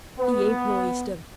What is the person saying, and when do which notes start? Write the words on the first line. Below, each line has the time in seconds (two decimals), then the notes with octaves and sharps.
He ain't no oyster.
0.19 B3